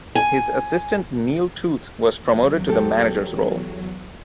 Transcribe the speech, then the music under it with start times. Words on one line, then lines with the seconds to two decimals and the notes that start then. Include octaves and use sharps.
His assistant Neil Tooth was promoted to the manager's role.
0.15 G#5
2.19 E2 F#3
2.69 G4 A4